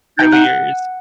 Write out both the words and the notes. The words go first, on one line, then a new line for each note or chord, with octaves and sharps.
early years?
D#4 G5
F#5